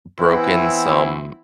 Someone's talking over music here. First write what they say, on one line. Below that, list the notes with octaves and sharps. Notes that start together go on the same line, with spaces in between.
broken some
E3 B3 C4 E4